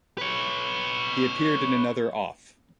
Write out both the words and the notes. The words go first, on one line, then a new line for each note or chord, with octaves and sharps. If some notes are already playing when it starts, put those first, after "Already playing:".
He appeared in another Off!
B4 C#5